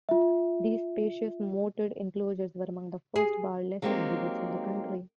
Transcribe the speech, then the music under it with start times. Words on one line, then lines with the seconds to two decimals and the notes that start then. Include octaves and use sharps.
These spacious, moated enclosures were among the first bar-less exhibits in the country.
0.09 F4 E5
3.16 G#4
3.82 F#3 G#3 A#3 C4 D#4 G4